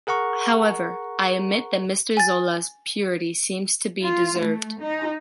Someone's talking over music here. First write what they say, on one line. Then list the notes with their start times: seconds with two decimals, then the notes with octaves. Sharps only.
However, I admit that Mister Zola’s purity seems to be deserved.
0.07 G#4 A#4 F#5 A#5 C#6
2.17 G#5 A6
4.03 F4
4.40 A3
4.81 D#4